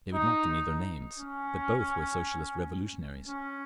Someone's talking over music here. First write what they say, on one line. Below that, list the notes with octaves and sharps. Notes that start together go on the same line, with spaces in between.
They would not give me their names, but both were Socialist Revolutionaries....
D#4
C#4
C#4